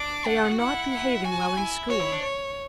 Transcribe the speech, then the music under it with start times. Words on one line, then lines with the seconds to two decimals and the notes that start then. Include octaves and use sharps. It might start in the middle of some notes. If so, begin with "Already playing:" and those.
"They are not behaving well in school."
Already playing: D4 D6
0.26 F#5
0.37 A4
0.45 G#4
0.52 F#4
0.59 E4 F#5
0.92 F#5
1.25 F#4 G#5
1.57 E4
1.90 F#4 C#5
2.00 E4
2.12 D4
2.22 C#5